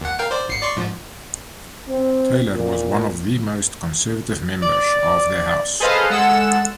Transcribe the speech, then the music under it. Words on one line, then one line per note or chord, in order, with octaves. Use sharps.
Taylor was one of the most conservative members of the House.
D#2 F#5
A#4 F5 G5
C5 D5
G#1 C7 C#7
D5 C6 C#6
G#2 F3
C4
A#2
D5
G#4 A4 B4 C5 D#5 F5
G#3 A4 F#5 E6 E7